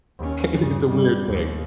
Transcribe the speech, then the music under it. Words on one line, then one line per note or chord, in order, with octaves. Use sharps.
it's a weird thing.
D#2 C#4
G2 C#3
G3
D#2